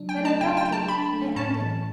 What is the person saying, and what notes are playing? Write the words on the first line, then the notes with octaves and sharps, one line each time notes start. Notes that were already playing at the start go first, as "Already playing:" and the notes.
Then abruptly it ended.
Already playing: C#3 F#3 D4
G5
A3
A5
C#3 G5
G5
F#3
A5
D4 B5
A3
A2 A5
E3